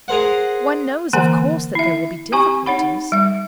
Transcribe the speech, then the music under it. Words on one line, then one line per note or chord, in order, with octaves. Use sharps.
"One knows, of course, that there will be difficulties."
G#4 A#4 C5 F#5
D3 E3 A#3 G#5 A#5
E4 E5
C4 G4 G#5 A#5 C#6
D#4 C#5 F#5 B5
G3 E5